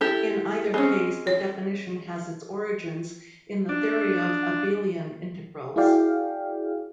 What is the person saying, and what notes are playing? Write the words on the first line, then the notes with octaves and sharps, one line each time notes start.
In either case the definition has its origins in the theory of abelian integrals.
E4 G4 A4
G#3 C4 C#4
C#5
D4
E4 F#4 G#4 D5 F5 G5